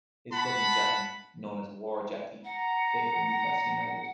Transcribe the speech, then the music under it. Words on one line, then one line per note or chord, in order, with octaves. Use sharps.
His cousin Jackie, known as Wor Jackie, played for Newcastle United.
F#5 A5 B5
F#5 A#5